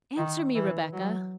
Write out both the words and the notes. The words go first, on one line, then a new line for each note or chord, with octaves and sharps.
"Answer me, Rebecca."
D#3
E3
F#3